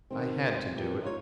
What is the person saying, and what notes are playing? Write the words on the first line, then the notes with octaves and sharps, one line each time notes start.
I had to do it.
D#3 C4
C4
F2 A#2 E3 G3
D#4 F4 C5 C#5